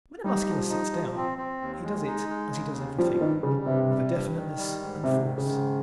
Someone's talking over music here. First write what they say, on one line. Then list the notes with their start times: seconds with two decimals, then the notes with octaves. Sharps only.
When a Muscular sits down he does it as he does everything--with definiteness and force.
0.24 G3 D#4
0.47 F3
0.70 D#4
0.92 F3
1.16 C4
1.38 C4
1.61 D#2
1.84 G#3
2.07 D#4
2.29 G#3
2.52 C#3
2.74 D#2
2.98 F3 G3
3.14 F3
3.21 G2 D#3
3.43 C#3 G3
3.66 G2 C3
3.90 G3
4.12 G2
4.35 D#3
4.57 G3
4.80 G#2
5.04 G#2 C3
5.26 D#3
5.38 C#3
5.48 G#2